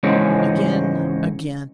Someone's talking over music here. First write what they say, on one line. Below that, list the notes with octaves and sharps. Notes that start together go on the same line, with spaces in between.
Again! again!
G#2 C#3 E3 G#3 C4 C#4